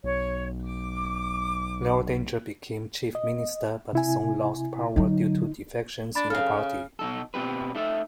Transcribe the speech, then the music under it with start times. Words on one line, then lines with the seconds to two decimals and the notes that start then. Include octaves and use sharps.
Laldenga became Chief Minister, but soon lost power due to defections in the party.
0.04 B1 C#5
0.65 D6
3.15 D#5
3.93 C3 E4 G#5
4.96 D3 F#3 D#4
6.15 D4 B5 A6
6.30 C#3 A4 F5 F6
6.99 B2 D#4 A4
7.34 B2 C4 G4 B4
7.75 A3 D#4 A4 E5